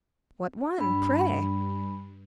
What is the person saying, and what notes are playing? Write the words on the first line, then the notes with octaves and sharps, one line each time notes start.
"What one, pray?"
G2 D4 B5